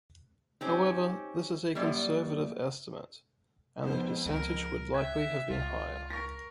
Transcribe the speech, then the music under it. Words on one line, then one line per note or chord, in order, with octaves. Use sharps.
However, this is a conservative estimate and the percentage would likely have been higher.
C4 C#4 D#4 G4
F#2 G3 A#3 D5
F2 G#2 B3 C5
C#2 A#4
E5 G5 F#6 G#6
C#2 F4
A#4 C#6 A#6